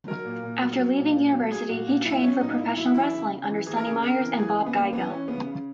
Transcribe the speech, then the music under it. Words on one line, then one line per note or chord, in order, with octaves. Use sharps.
After leaving university, he trained for professional wrestling under Sonny Myers and Bob Geigel.
F#3 A#4
A#2
A#2
F#3
F#3
A#2
A#2
F#3
F#3 G#4
A#2 F#4
A#2 F#4
F#3 E4
F#3 C#4
A#2 D#4
A#2 E4
F#3 E4
E3 E4
C#3
C#3
E3
E3 G#4
A#4
C#3 G#4
C#3 A#4
E3
E3 G#4
C#3
B3
C#3 A#3
E3 B3
E3 C#4
C#3 B3
C#3